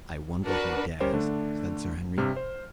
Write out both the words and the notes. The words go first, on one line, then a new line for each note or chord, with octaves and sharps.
"I wonder he dares," said Sir Henry.
D4 F#4 A#4 B4
G3 C#4 G4 A#4 C5 C#5
D3 A3 D4
G2 C3 G4 F6
C5